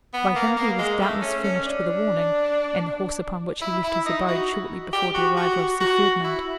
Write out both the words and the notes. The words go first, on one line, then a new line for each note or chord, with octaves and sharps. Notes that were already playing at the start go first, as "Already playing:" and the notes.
By him he was doubtless furnished with a warning, and the horse upon which he left his abode shortly before the arrival of Sir Ferdinand.
B3
A#3
A#3
G#3
A3
C#4
C#4
D4
E4
E4
D#4
F#4
G4
F#4
F#4
F#4
E4